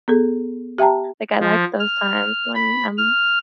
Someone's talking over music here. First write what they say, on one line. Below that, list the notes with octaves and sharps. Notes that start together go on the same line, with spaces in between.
Like, I like those times when I'm
B3 G#4 A4
G4 E5 G5 A5 A#5
F3
F6
B5
F6